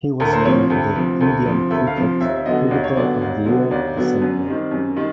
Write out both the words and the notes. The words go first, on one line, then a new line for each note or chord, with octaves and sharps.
He was named the "Indian Cricket" Cricketer of the Year the same year.
D2 A#4
C5
C3 F3 C#5
D2
C3 F3
D2
C3 F3
D2 E5
F5
C3 F3
D#2 E5
D3 F#3 B3 D#5
D#2 D5
C#5
D3 F#3 B3 D5
D#2
D3 F#3 B3
D#2 D5
D3 F#3 B3
F#2
D#3 G3 C4
F#2
D#3 G3